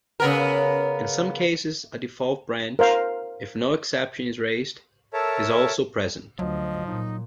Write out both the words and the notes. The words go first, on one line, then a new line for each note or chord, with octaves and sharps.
In some cases a default branch, if no exception is raised, is also present.
C#3 B3 A#4
A#4 C5 F5
A4 A#4 C#5 E5 A5
D2 F3 F#3 D#5
A#2 D#4